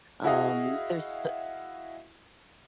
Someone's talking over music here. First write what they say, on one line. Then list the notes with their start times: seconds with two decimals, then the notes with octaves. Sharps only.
um, there's s
0.24 E4 F#4 G#4 D#5 F5